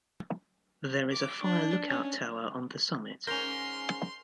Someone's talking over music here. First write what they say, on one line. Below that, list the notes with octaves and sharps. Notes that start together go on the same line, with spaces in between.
There is a fire lookout tower on the summit.
D6
D4
C#4
G#2 C#4 A#4 C6 G6 A#6 F7 G7